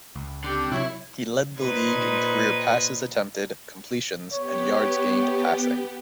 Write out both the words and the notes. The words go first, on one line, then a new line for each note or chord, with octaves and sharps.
He led the league in career passes attempted, completions, and yards gained passing.
C#2
D3 C4 G4
C3 F#3 E4 A4 C#5 E5
A#2 D#4 B4 C5 G#6
B3 G4 C#5